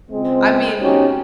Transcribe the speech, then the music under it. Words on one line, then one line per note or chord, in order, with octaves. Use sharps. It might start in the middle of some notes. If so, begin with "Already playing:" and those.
I mean y
C#2 G#3 C4
B2 C#4 D#4 F#4 G4